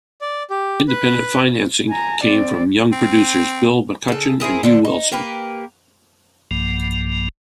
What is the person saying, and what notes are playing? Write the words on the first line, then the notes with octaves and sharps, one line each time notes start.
Independent financing came from young producers, Bill McCutchen and Hugh Wilson.
D5
G4
B4
G#5 A#5
C4 D5
C4
C#3 A4
C4 E4 G#4 A#4
D3 F3 D4
D#4
A#3 G4 A#4 B4
B1 G2 F3 A#3